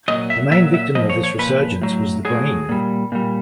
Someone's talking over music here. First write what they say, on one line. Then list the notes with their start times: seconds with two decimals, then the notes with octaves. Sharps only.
The main victim of this resurgence was the Green!
0.08 A#2 F#3 D#5
0.30 E5
0.51 A#2 E5
0.55 F#3
0.74 E5
0.95 A#2 F3 D#5
1.10 C#5
1.24 C#5
1.38 A#2 F3 B4
1.82 A2 F#3
2.25 A2 F#3 G#4
2.69 A#2 G3
3.12 A#2 G3